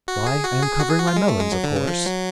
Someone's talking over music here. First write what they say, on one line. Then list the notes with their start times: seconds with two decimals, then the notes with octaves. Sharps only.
"Why, I am covering my melons, of course!"
0.08 F#4
0.26 G#4
0.44 F#4
0.63 G#4
0.80 F#4
0.89 G#4
0.98 F#4
1.07 F4
1.16 G#3
1.28 A3
1.40 G#3
1.52 F#3
1.64 D3
1.76 C#3
1.87 F3
2.06 F#3